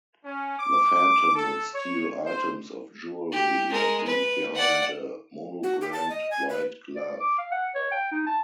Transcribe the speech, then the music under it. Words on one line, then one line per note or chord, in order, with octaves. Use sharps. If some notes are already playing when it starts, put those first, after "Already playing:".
The Phantom would steal items of jewelery and leave behind a monogrammed white glove.
C#4
D6
A4
C#5
C5
G4
G#3 A#4
B4
D5 F#5
F#4
G4
A5
D#5
G#5
B4
D5
D6
F5
F#5
C#5
G5
D#4
A5